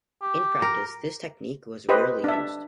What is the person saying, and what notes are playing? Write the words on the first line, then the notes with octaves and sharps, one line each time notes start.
In practice this technique was rarely used.
G4
A#4
G4 B4 C5 D#5
D4 E5